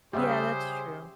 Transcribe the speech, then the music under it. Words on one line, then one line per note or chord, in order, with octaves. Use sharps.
Yeah, that's true.
C#3 G3 G4 G#4 C5 E5 F#5